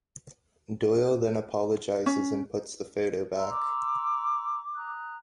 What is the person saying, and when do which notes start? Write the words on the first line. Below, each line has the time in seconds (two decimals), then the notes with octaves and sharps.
Doyle then apologizes and puts the photo back.
2.06 C#4
3.36 A#5 C6 E6
3.50 D6
4.75 A#5 D#6 F#6